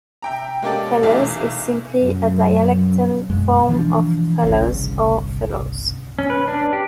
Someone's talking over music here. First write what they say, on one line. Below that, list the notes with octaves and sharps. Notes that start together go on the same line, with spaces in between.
"Fellers" is simply a dialectal form of "fellas" or "fellows".
E5 G5 A#5
G#3 A#3 C#4 G4 A4 D5
B1 E2 A3 E4 E5 F5
F#2
F#2 B2 G#3
E3 F3 A3 D4
G1 C2 C#3
C#4
B4
D4
G4